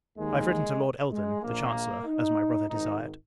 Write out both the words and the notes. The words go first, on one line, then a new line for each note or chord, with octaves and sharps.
I have written to Lord Eldon, the Chancellor, as my brother desired.
D#2 D#3 G#3
G#3
A#1 A#2 A#3
D#4
G#1 G#2 D#3 D#4